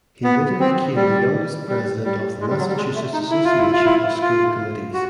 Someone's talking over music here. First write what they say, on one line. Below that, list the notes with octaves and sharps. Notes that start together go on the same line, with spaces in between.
He later became the youngest president of the Massachusetts Association of School Committees.
B3
C4
G3
G3
G3
G#3
G3
F#3
G3
G#3
A3
D#4
E4
F4
E4
F4
E4
F4
F#4